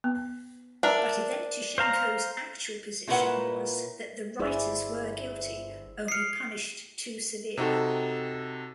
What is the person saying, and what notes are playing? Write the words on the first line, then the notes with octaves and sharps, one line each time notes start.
But Yevtushenko's actual position was that the writers were guilty, only punished too severely.
B3
D4 A#4 E5
C5 F5 A#5
A#2 E4 A#4 B4 C#5 F#5
G1 E4 G#4 C5 D5 E5
D#6 F6 C7 C#7
C3 D#4 F#4 A4